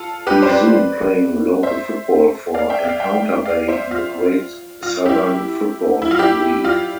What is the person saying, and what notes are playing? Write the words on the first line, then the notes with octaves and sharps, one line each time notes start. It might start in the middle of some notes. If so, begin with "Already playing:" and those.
He resumed playing local football for Encounter Bay in the Great Southern Football League.
Already playing: F4 A4
G4 B4
C5
B4 D5
C5 E5
D5 F5
E5 G5
D5 F5
E5 G5
D5 F5
C5 E5
F4
F4
E4 G4
E4
F4
E4 G4
F4